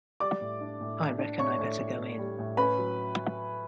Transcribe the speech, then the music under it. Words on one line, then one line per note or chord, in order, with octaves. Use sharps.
I reckon I better go in.
G3 D5 D6
A2
D4
A2
D4
D4
A2 C#5 C#6
A2
A2
A2
G3
A2
C#4 B4 B5
F#3